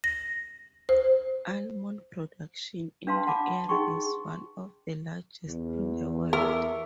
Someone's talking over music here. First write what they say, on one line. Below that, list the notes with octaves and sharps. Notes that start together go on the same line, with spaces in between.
Almond production in the area is one of the largest in the world.
A#6
C5
D4 B4 F5 A5 C6
F#5 A5 B5 D6
D#4 G#4 G5 C6 C#6
E2
E2 A#4 E5 C#6 D6